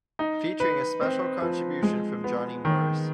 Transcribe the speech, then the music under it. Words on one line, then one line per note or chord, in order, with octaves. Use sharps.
Featuring a special contribution from Johnny Morris.
D#4
B4
C4
F3
G#3
B3
D#3